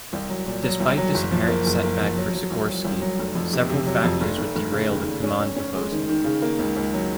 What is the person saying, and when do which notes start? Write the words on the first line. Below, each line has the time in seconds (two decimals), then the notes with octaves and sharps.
Despite this apparent setback for Sikorsky, several factors would derail the Kaman proposal.
0.13 C2
0.30 F#3
0.46 A#2
0.63 F#3
0.80 C2
0.98 F#3
1.14 F#1
1.31 F3
1.48 A#3
1.66 F#1
1.83 A#3
2.00 F3
2.17 F#3
2.34 F#3
2.51 C2
2.68 F#3
2.85 C2
3.01 F#3
3.19 F1
3.35 F2
3.53 C3
3.69 C3
3.87 F#3
4.04 F2
4.21 F1
4.39 F1
4.56 F1
4.72 C#3
4.89 D#2
5.05 F1
5.23 C#4
5.40 C#4
5.56 C#4
5.74 G#3
5.92 D#3
6.09 D#3
6.24 C#3
6.42 A#3
6.59 C#2
6.77 C#2
6.94 F#3